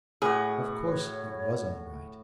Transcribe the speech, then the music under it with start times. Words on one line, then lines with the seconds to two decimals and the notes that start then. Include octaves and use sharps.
Of course it was all right.
0.22 A2 F#4 G#4
0.86 C#5